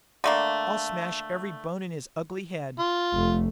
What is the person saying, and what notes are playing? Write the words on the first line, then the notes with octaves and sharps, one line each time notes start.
"I'll smash every bone in his ugly head."
D3 A3 A#3
F4
F1 A3